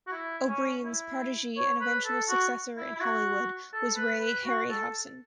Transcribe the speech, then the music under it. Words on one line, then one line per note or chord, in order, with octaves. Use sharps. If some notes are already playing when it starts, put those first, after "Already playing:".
O'Brien's protege and eventual successor in Hollywood was Ray Harryhausen.
F#4
E4
C#4
E4
C#5
B4
A4
F#4
E4
E4
F#4
A4
B4
B4
F#4
A4